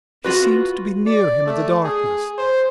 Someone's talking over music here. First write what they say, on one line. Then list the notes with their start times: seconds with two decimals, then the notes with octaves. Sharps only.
She seemed to be near him in the darkness.
0.24 F4 F#4 B4
1.06 D5
1.46 A3
1.84 G#4
2.38 C5